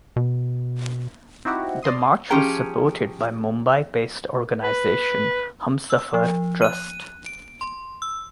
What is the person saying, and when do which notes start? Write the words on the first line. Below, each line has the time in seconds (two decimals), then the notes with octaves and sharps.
The march was supported by Mumbai based organisation Humsafar Trust.
0.16 B2
1.45 C4 D#4 E4 F#4 G4 F#5
1.83 D5 D#5 C6 D#6
2.30 F3 C#4 G4 G#4 G5 A#5
4.63 B4
5.90 E6
6.14 F3
6.62 F#6 D#7
7.26 D7
7.61 C6
8.02 E6